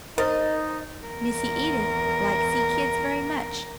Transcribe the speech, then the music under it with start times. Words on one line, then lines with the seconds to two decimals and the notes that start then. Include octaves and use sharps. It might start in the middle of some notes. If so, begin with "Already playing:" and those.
Missy Edith like see kids very much.
0.18 D#4 A#4 C5 D#5 A6
1.07 E2 A#4